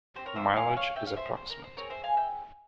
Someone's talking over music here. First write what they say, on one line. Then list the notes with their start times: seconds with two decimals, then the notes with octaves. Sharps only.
Mileage is approximate.
0.15 C4 G4 C5
0.26 A#4 C#5
0.36 C5 E5
0.56 F5 G#5
0.77 C#5 F5
0.96 C#4 G4 E5 G5
1.06 C#5 F5
1.16 C5 E5
1.37 C5
1.50 A#4
1.64 C5
1.77 C4 E4 G#4 A#4 C#5
1.90 C5 E5
2.04 F5 G#5
2.17 E5 G5